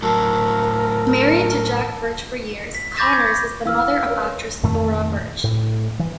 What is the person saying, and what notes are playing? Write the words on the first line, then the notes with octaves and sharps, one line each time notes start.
Married to Jack Birch for years, Connors is the mother of actress Thora Birch.
A2 F#3 A#4 A5 E6
B6
B5 C#6 D6 G6 A6 A#6
G#6
E3 F5 E6 F6
C#4 A#4 B4
F2 A#2 D#3 A3
A2
E3